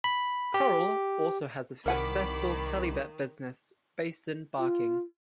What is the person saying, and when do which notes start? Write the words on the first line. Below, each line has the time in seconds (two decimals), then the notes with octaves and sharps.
Coral also has a successful Telebet business, based in Barking.
0.04 B5
0.54 G4
1.86 C2 D#3 A#4 F#5 G#5 B5 D6
4.59 F4